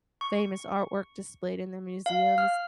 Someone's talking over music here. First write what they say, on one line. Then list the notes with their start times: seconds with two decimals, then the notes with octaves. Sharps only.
famous artwork displayed in the museums.
0.21 C#6
2.06 F5
2.38 F6